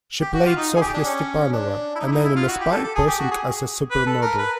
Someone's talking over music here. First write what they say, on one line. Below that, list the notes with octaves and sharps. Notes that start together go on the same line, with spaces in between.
She played "Sofia Stepanova", an enemy spy posing as a supermodel.
G4
F#4
F4
D#4
G#4
G4
D4
C#4
D4
E4
D#4
E4
D#4
E4
F4
F#4
G4
A4
A4
G#4
G4
F#4
G#4
B4
A4
A#4
B4